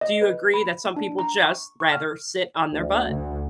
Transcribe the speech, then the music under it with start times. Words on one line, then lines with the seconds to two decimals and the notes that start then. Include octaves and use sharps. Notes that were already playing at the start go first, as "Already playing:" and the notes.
Do you agree that some people just rather sit on their butt?
0.01 D#5
0.22 B4
0.54 B5
0.97 D4
1.19 A#5
1.45 C#6
1.80 C#6
1.92 F6
2.73 D2
3.07 D2 D3